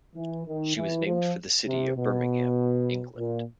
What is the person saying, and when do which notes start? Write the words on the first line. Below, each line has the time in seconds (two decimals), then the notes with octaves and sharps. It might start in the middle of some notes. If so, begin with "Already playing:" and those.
She was named for the city of Birmingham, England.
0.16 E3
0.47 D#3
0.76 E3
1.06 F3
1.67 C3
1.97 B2
3.18 A#2